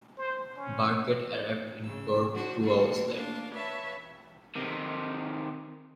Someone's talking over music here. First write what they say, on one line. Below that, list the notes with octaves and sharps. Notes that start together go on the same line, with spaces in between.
Birkett arrived in court two hours late.
C5
C#4
C#3 E6
F#3 D4 F#4 C5
A#3 C4 F4 F#4 A4
A3 A#3 D4 F5
B4 C#5 E5 F5 A5
C3 D#3